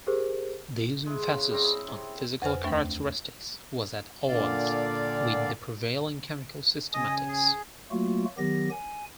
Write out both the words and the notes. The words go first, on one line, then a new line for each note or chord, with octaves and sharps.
This emphasis on physical characteristics was at odds with the prevailing chemical systematics.
G4 G#4 A#4 C5
G#3 E4
C#3
G3 C4
G#4
C3
F2 B4 C5 G#5 F6
D#2 A3 D4 G5 C#6
A#2 D3 D5 F5
C#3 D#5 G#5 D#6
G#4
F#3 A3 A#3 F4 F#4
D#3 F#3 B3 G4 A#6
G#5